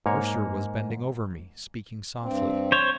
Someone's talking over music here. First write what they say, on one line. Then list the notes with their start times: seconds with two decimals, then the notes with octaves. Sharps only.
Mercer was bending over me; speaking softly.
0.06 G#2 A#3 C#5
2.23 G2 C4
2.72 C5 C#5